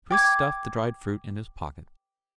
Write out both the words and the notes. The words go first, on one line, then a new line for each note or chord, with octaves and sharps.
Chris stuffed the dried fruit in his pocket.
G5 D6 G#6